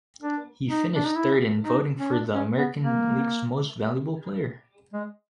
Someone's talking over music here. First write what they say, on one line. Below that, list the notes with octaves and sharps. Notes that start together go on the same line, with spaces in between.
He finished third in voting for the American League's Most Valuable Player.
D4
D#4
D4
D#4
E4
D#4
C#4
D4
C#4
B3
A#3
G#3